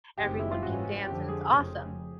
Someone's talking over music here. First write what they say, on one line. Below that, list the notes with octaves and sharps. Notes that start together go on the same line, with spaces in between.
everyone can dance, and it's awesome.
F#1 F#2 D#3 G#3 C4 G4
E4
F4
G#2 E3 G#3 C#4 F#4
F2 D3 F3 G4
G#4
F1 F2 C#3 F3